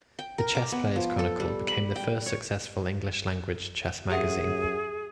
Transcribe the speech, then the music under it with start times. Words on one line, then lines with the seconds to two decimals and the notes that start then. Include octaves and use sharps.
The "Chess Player's Chronicle" became the first successful English-language chess magazine.
0.19 G5
0.38 A#4
0.55 D6
0.72 B3
0.96 F3
1.19 A4
1.40 G3
1.68 B5
1.96 G5
2.26 C#5
4.10 F#2 G4 G#4 E5 F#5